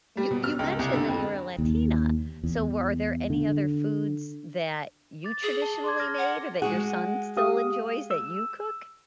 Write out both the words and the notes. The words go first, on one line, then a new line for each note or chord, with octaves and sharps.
You you mentioned that you were a Latina, so were are there any other foods that you traditionally made or that your son still enjoys that you cook?
G3
B2
F6
C#2
C2
D3
F2
D#2
E2
D3
D6 A6
G#4
A5 G7
C6 D6 G#6
F6 A#6
F#5
G#3 F#4 G#4 F#5
G4 F5 D#6
E6